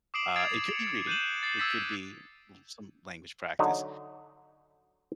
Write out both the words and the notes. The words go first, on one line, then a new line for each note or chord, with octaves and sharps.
uh, it could be reading, it could be l some language practice,
D6 D#6 C7 D7 E7 F#7
D#6 G#6 A6 C7 D7 F7
C#7 F7
F#6 G6 D#7 E7 F#7
A6 C7
D#6 E6 G#6 A6 B6
D3 F#3 D#4